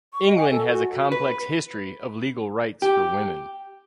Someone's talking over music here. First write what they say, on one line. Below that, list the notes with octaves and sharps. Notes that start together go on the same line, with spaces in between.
England has a complex history of legal rights for women.
C#6
D#5
G#5
A4
F#4
B4
G4